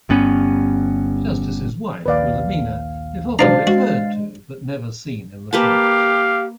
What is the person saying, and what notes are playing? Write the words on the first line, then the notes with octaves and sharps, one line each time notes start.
Justice's wife, Wilhelmina, if often referred to but never seen in the films.
G1 G2 B3 C#4
A#1 D#2 B4 D5 F5
B1 G#2 D4 C5 F5 A#5 A6 C7
G#3 F#4
A#3 G4 B4 F5 A5